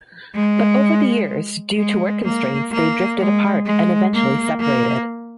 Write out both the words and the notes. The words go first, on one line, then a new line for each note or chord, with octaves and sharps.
But over the years, due to work constraints, they drifted apart and eventually separated.
G#3
G#3
A#3
A#3
G#3
G#3
A#3
A#3